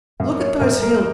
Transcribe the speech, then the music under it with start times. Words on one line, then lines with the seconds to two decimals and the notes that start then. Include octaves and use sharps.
Look at those hills!
0.20 F#2
0.40 C#5
0.60 F#2 A#4
0.82 A#4